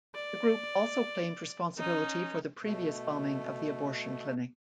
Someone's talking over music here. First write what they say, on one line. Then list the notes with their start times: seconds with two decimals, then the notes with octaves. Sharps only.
The group also claimed responsibility for the previous bombing of the abortion clinic.
0.15 D5
1.78 C#4 D#4
2.63 B2 A3